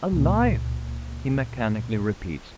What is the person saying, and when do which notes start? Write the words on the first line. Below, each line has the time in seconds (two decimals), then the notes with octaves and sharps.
"Alive!" he mechanically repeats.
0.12 C#2 A#2